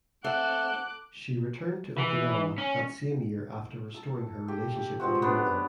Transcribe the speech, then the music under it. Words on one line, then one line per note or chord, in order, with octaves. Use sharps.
She returned to Okinawa that same year after restoring her relationship with her mother.
A3 C4 C5 F#5 D6 F#6
E3
C#4
A4
G4
G4
F3 G#3 C4 F#4
B3 C#4 D4